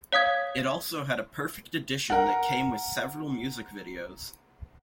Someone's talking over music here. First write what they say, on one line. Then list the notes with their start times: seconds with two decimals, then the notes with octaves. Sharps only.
It also had a "Perfect Edition" that came with several music videos.
0.13 C#5 F5 D#6 G#6
2.10 A#4 F#5